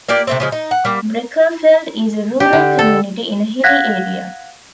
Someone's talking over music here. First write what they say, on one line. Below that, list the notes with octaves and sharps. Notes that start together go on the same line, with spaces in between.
Breckerfeld is a rural community in a hilly area.
A#3 F4 G4 D5
C3 A3 C4
C#3 F3 G#3
D#4
F#5
G3 A#3
G4
D3
A4
F5 F#5 F#6 G#6 A#6 B6